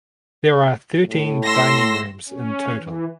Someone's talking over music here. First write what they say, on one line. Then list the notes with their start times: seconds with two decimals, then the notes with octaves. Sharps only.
There are thirteen dining rooms in total.
1.07 A2
1.44 C6 E6 A#6
2.28 C#4
2.75 E3